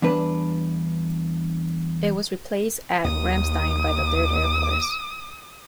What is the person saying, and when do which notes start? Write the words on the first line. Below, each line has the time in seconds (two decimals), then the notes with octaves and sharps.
It was replaced at Ramstein by the Third Air Force.
0.02 E2 G2 D4 B4
3.05 D#2 D#6